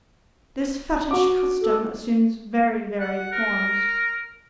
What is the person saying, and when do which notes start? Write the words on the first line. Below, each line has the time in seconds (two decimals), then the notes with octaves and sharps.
This fetish custom assumes very varied forms.
1.11 F#4 D6
1.62 A4
3.00 F#5
3.32 A#4